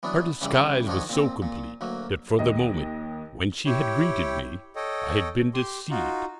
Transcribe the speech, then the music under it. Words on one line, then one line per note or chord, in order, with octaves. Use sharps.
Her disguise was so complete that, for the moment when she had greeted me, I had been deceived.
E3 F#3 B3 D4
C#3 E3 G3
D#3 F3 D4 D#4 C#5
A#2 C4
A#2
D2 F#3 A#3
D#2 D#5
E4 G4 C#5 G5
A4 C#5 D#5 G5
G4 C6
D#4 F4 F#4